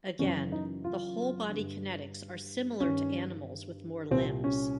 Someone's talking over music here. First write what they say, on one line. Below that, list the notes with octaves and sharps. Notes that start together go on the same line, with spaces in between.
Again, the whole-body kinetics are similar to animals with more limbs.
F#2 C#3 E3 C#4
D#4
F4
G2 D3
G2 D#3 C#4
C2 A#2 C4
C#4